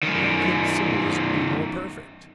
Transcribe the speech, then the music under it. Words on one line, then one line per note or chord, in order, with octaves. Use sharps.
How could symbolism be more perfect?
F#2 D#3